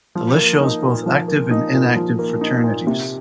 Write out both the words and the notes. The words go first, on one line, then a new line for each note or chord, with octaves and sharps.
The list shows both active and inactive fraternities.
F3
A#3
D#4
A#2
F3
A#3
D#4
A#2
F3
A#3
D#4
A#2
C3